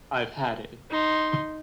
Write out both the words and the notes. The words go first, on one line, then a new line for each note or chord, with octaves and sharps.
I've had it.
D#4 C6